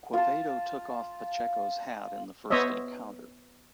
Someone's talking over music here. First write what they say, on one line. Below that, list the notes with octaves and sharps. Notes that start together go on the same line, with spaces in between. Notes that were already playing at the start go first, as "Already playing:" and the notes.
Quevedo took off Pacheco's hat in the first encounter.
F4 A5
B3 C5 C#5 D#5 E5